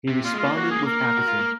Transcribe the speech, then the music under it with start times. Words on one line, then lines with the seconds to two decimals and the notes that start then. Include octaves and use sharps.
He responded with apathy.
0.09 C3
0.25 A#2 F4
0.34 G#3
0.39 F4
0.45 A#3
0.56 F#4
0.71 G#4
0.87 A#4
1.18 F#4
1.28 F4
1.39 A#3